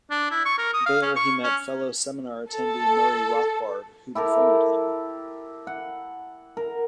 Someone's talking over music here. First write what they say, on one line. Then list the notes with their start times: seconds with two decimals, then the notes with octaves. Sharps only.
There he met fellow seminar attendee Murray Rothbard, who befriended him.
0.11 D4
0.31 E4
0.46 C#6
0.58 A#4
0.74 D#6
0.86 F5
1.03 C#4
1.16 C#6
1.44 C#4
2.52 A4
4.15 E4 G4 A4 A#4
5.67 F#5
6.57 A#4